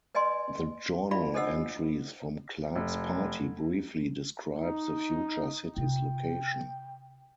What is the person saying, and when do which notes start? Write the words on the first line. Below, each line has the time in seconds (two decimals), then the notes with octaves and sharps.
The journal entries from Clark's party briefly describe the future city's location.
0.15 B4 D5 D#5 G#5 C6
1.11 E4 F4 D5 F5 B5
1.34 D4 A4 C5 D#5 F#5 E6
2.76 F1
4.60 D#4
5.77 C3 F4 G5